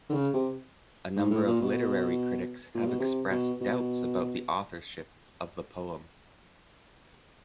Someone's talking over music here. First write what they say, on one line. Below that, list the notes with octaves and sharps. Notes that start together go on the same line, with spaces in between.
A number of literary critics have expressed doubts about the authorship of the poem.
D3
C#3
C3
G#2
A2
A#2
B2
A#2
B2
C3
B2
B2